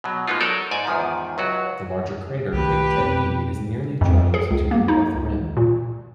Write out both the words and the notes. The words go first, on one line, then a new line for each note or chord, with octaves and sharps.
The larger crater Pictet E is nearly joined to the north rim.
B2 F#3
G#3 A#3 B3 D#4 F4
F#3 D#4 A4 A#4 D5
G#2 D5 G#5
E2 G#2 D#3 F3
C#2 F#3 F#4
C2 D#3 A3 G4 B4
F2 B2 C4
F2
G#4
C#2
A#3
D#4
C#2
A#2